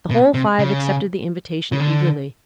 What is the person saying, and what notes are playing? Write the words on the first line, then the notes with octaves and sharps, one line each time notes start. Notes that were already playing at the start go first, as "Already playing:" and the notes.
The whole five accepted the invitation eagerly.
B2
C3
C#3
C#3
D3